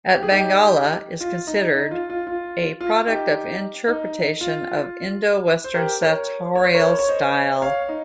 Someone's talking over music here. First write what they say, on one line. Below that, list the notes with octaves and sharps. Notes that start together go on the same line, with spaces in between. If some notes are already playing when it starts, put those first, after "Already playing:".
A Bandgala is considered a product of interpretation of Indo-Western sartorial style.
G4
G#4
D#4 G4
F4
D#4
D#4
F4
F4
F4
F4
D#4 G4
D#4
F4
C5
G4 A#4
A#4 C#5
C#5
C5
A#4 C#5
C#5
C5 D#5
C#5 F5
D#4